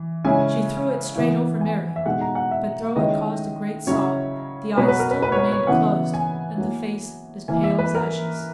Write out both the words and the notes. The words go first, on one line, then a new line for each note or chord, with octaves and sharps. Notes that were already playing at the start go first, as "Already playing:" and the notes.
She threw it straight over Mary; but though it caused a great sob, the eyes still remained closed, and the face as pale as ashes.
Already playing: E3
C#3 G#3 C#4 E4 G#5
E3 B3 E4
G#5
E5
B2 G#3 D#4 F#5
A#5
F#5
E5
D#3 G#3 C#4 E4 D#5
C#3 F#3 C#4 E4 C#5
B2 F#3 B3 B4
B4
A#4
B4
B4
C#5
B4
C#5
C#3 E3 B3 E4 F#5
G#5
F#3 A#3 E4
E3 A#3 E4 G#5
E5
B4
A#4